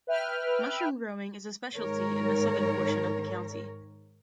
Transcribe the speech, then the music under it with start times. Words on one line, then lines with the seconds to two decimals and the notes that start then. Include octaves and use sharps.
Mushroom growing is a specialty in the southern portion of the county.
0.07 B4 E5 G5 F6
1.75 G#2 D#3 G#3 A#4 C#5